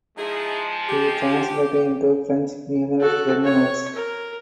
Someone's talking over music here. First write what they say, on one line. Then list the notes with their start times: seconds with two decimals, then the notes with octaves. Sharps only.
He translated into French numerous German works.
0.18 F3 G#3 D#4 E4 G#4
0.89 G4
3.01 F#4 A4
3.44 C#5
3.95 A#4